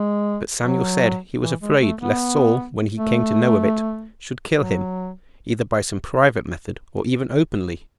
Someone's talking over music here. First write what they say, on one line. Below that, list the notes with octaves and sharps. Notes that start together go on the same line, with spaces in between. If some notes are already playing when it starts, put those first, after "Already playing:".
But Samuel said, he was afraid lest Saul, when he came to know of it, should kill him, either by some private method or even openly.
Already playing: G#3
F#3
E3
G#3
A3
B3
A3
F#3